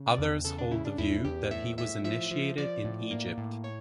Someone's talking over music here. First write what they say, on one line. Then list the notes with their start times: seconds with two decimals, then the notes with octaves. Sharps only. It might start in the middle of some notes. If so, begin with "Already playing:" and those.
Others hold the view that he was initiated in Egypt.
Already playing: C#3
0.09 D5
0.18 E2
0.45 C#3 A4
0.58 D4
0.71 C#3 E4
0.85 D4
0.98 E2 E4
1.25 E2 G4
1.51 A2 E5
1.78 A2 E5
2.04 F3 E5
2.31 F3
2.58 F3 D5
2.84 A2
3.11 A#3
3.38 A2
3.64 C#5